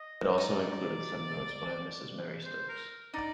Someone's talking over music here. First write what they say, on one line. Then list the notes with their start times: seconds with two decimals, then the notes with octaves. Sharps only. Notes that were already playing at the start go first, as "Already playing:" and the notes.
It also included some notes by Mrs. Mary Stokes.
Already playing: D#5
0.38 D#4 D5
2.45 C5
2.68 A#4
3.14 D#4 D5